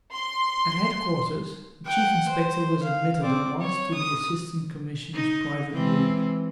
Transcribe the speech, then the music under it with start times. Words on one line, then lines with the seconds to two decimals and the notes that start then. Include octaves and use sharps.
At headquarters the Chief Inspector was admitted at once to the Assistant Commissioner's private room.
0.12 C6
1.85 F#5 G5
2.29 C5
2.83 F5
3.22 C4 D5
3.61 C#5
3.94 D#6
5.13 D#4
5.72 E3 G#3 C4